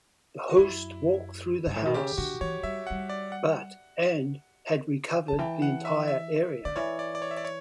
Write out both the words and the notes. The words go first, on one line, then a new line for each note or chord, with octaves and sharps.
The host walked through the house but and had covered the entire area.
F#4
F#2 E4
G2
A2
B2
C#3 G4
D3 F#4
E3 C#5
G3 E5
G3 F#5
D5
F#5
D3 A5
E3 G5
F#5
E5
E5
D3 D5
E3 C#5
D5
D5
C#5
E5
D5
C#5